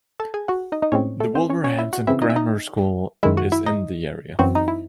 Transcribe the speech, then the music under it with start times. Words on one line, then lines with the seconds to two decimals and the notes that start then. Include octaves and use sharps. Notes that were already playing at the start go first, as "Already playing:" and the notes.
The Wolverhampton Grammar School is in the area.
0.20 A4 A5
0.34 G#4 G#5
0.48 F#4 F#5
0.72 D#4 D#5
0.82 D#4 D#5
0.92 A2 G#3 C4 C#4 C#5
1.20 A3 A4
1.35 C4 C5
1.50 C#4 C#5
1.64 C#4 C#5
1.79 E4 E5
1.93 F#4 F#5
2.07 C#3 E3 C4 E4 E5
2.22 D#4 D#5
2.30 E5
2.36 D#4 D#5
3.23 F#2 D#3 G#3 E4 E5
3.37 F#4 F#5
3.52 E4 E5
3.66 D#4 D#5
4.39 F#2 E3 F#3 C4 F#4
4.55 D#4
4.68 E4